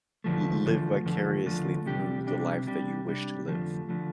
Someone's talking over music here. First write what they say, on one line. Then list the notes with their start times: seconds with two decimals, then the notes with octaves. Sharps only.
l live vicariously through the life that you wish to live.
0.24 E2 D3 F3 A3
0.65 E2 D3 F3 A3
1.06 E2 D3 F3 A3
1.46 E2 D3 F3 A3
1.86 C3 G3 D4 G4
2.27 C3 G3 D4 G4
2.67 C3 G3 D4 G4
3.08 C3 G3 D4 G4
3.48 F2 D3 F3 A3
3.89 D3 F3 A3